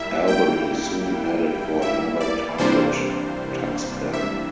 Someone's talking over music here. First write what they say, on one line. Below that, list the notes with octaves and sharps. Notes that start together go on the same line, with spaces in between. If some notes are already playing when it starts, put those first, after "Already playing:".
"Albany" soon headed for another target-Tuxpan.
Already playing: G3 A#3 E4 E5
G5
E5
D5
C3 E3 G3 A#3 D4 C5
E5